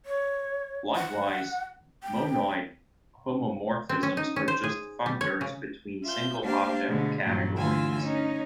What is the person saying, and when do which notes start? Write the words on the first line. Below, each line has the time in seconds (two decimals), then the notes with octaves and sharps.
Likewise, monoid homomorphisms are just functors between single object categories.
0.06 C#5
0.96 F#5
2.03 G5
3.89 C4
4.03 C#4
4.17 D#4
4.36 C#4
4.48 C5
4.64 G#4
5.06 G3
5.21 C#5
5.41 C#3
6.04 F4 E5 G6
6.44 G#3 A#3 D4 G4 C5 F5
6.88 B2 D3 G#3 A3
7.25 E2 G2 A#2 F#3
7.57 D2 D3 E3 F4 G#5 E6
8.02 C#4 D#4